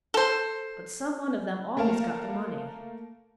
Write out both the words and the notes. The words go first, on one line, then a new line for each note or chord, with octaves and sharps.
But some one of them always got the money.
A4 C5
A3 A#3 A#4 F5 A5